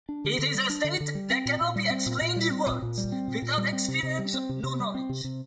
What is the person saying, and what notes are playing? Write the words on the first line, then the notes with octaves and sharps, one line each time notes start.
It is a state that cannot be explained in words: 'without experience no knowledge.
D4
D3
D3
G3
D4
D3
D3
G3
C4
A#2
A#2
G3
C4
A#2
A#2
G3
C4
A#2
A#2
G3
C4
A#2
A#2
G3
C4
C3
C3
G3
C4
C3
C3
G3
C4
C3
C3